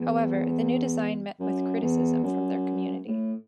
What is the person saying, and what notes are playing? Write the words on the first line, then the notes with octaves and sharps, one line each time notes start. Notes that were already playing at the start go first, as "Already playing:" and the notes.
However, the new design met with criticism from their community.
Already playing: E2
F#2
E2
F#2
A2